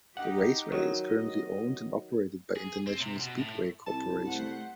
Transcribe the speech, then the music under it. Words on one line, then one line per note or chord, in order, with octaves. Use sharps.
The raceway is currently owned and operated by International Speedway Corporation.
D#4 G4 F#5
D#3 F#3 D#5
G#4
C4
C3
B2
A2
C2 A5
A3 C5 F#5